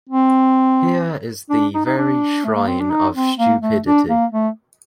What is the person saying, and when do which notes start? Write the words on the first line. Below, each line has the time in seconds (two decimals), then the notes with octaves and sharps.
Here is the very shrine of stupidity...
0.09 C4
1.50 D4
1.74 D#4
1.86 D#4
1.98 D4
2.44 A3
2.56 A#3
2.67 C4
2.80 D4
2.91 D#4
3.15 C4
3.38 A#3
3.62 A3
3.85 D4
4.09 A#3
4.32 A3